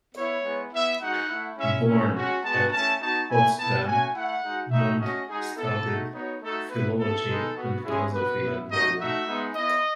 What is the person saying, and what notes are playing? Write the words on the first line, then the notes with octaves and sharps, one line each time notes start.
Born at Potsdam, Mundt studied philology and philosophy at Berlin.
B3 E4 C#5
G#3 B3 E4
B3 E4 E5
G#3 D#4 F#4 F#5
A3 E4
G#3 C#4 E4 E5
A3 C#4 E4
G#3 C#4 F#4
G#3 B3 F#4 A5
A3 C#4 E4 A5
B3 D#4 F#4 A5
A3 E4 G#5
B3 E4 A5
A3 C#4 F#4 G#5
A3 E4 F#5
G#3 D#4 F#4
A3 D#4 F#4 E5
A3 C#4 F#4 D#5
G#3 D#4 F#4 G#4
B3 E4 A4
A3 D#4 F#4
B3 D#4 F#4 C#5
A3 D#4 F#4 A4
B3 E4 B4
B3 E4 A4
G#3 B3 D#4
B3 F#4
G#3 C#4 E4 G#4
B3 F#4 B4
B3 E4
A3 D#4 F#4 D#5
A3 D#4 F#4 E5
G#3 B3 D#4
B3 E4 D#5